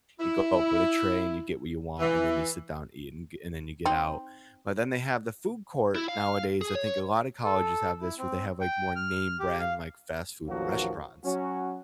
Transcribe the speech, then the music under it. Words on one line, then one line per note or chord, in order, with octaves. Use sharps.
You go up with a tray, and you get what you want, and then you sit down and eat, and g and then you get out. But then they have the food court nowadays, I think a lotta colleges have this where they have like more name brand, like, fast food restaurants,
E4
E3
C4 D#4
E4
F5
G#4
C#5
A4
E4
C4
G5
F6
G4
F5
A1 D#2 F3 F#3 A#3 F#4
F#3 C#4 F#4